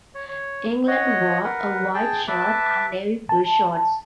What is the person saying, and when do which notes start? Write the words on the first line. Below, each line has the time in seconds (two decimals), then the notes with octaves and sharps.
England wore a white shirt and navy blue shorts.
0.15 C#5
0.29 C#5
0.87 C#5 D#5 F#5
1.44 A#4 B4 F#5
1.94 G#4 G5 A5
2.28 B4 E5 A5 D6
3.29 A5